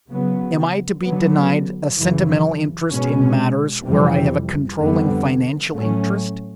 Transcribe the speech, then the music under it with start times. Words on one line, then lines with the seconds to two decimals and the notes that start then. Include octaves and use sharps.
Am I to be denied a sentimental interest in matters where I have a controlling financial interest?
0.10 C#3 F#3 B3
1.04 D3 F#3 B3
1.98 F#2 C#3 E3
2.91 B2 G#3 C#4
3.85 F2 C3 E3 G3
4.79 F2 D3 G3 B3
5.72 A2 F#3 A3 C#4